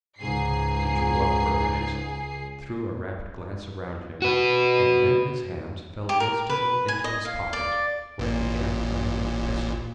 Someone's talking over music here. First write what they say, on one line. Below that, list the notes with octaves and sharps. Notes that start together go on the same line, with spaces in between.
He drew up for a minute, threw a rapid glance around him, and then his hand fell instantly into his pocket, where it began playing with a pistol.
C#2 G#2 G#4 C7
F#4 B4
G4
A#4
B4
G#5
D#5
F5
D5
A1 A#2